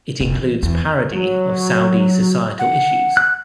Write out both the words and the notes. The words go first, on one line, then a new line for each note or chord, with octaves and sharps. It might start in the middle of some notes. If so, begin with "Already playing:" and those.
It includes parody of Saudi societal issues.
F1
E3
E2
F#3
F#5
F#6